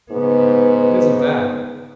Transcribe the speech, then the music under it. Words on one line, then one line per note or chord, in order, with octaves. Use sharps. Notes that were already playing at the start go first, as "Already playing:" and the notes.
"It isn't that."
G#2 C#3 B3 B4